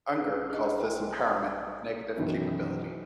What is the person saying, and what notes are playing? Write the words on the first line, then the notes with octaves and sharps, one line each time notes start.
Unger calls this empowerment negative capability.
C#4 G#4 B4
D4 E4 G#4 D#5
A#4 G5 G#5 C6
F#2 B2 D#3 E3